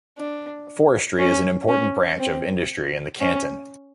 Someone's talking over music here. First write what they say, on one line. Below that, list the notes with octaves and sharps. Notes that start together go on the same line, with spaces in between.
Forestry is an important branch of industry in the canton.
D4
C#4
C#4
C4
C#4